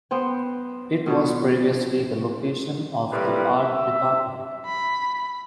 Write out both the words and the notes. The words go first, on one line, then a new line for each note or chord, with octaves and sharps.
It was previously the location of the art department.
B3 C5 G5
B2 F3 B3 C#5
A2 C3 G3 A#4 B4
E5
B5